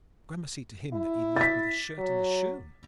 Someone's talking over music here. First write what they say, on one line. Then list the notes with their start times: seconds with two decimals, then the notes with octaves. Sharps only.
Gramercy to him that he left me the shirt and the shoon.
0.93 E4
1.36 A6 B6
1.98 F#3